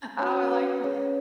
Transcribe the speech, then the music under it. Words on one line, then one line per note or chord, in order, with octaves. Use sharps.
Oh, I like that.
C#4 F#4 C#5
B4
C#4 G#4 C#5